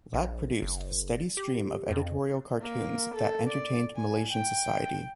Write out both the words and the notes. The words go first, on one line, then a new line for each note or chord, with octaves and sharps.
Lat produced a steady stream of editorial cartoons that entertained Malaysian society.
A#1
F#1
G4
F2
A#3
A4
D5
G#5
G5